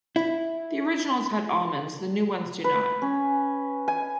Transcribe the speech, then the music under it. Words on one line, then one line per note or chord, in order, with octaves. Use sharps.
The originals had almonds, the new ones do not.
E4
B4
C#4
G#5